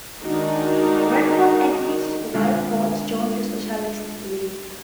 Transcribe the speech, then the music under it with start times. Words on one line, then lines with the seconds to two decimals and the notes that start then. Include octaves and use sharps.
Radford and his wife both joined the Socialist League.
0.23 D#3 G#3 D4 D#4 F#4 A#4
2.34 G#3 D4 F4